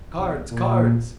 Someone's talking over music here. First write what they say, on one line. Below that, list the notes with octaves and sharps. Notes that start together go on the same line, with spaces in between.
Cards! cards!
B1
A#2